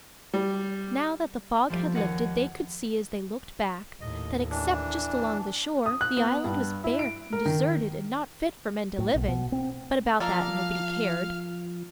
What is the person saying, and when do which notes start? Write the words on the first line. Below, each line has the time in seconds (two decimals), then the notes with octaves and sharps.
Now that the fog had lifted they could see as they looked back that, except just along the shore, the island was bare and deserted and not fit for men to live in; but about that nobody cared.
0.33 G3
1.70 F3 G3 A3 F4 G4
1.94 D#2 C#5 D#5 F#5 A#6 C#7
4.01 D#2 A2 D#5
4.50 E3 D4
5.86 D#6
6.01 F#6
6.17 B3
6.44 G2
6.84 E4
6.99 D7
7.33 A#4
7.45 D#3
8.98 A2
9.15 B1
9.28 B2
9.52 C4
10.20 F3 A#3 A4 D5 F5 F6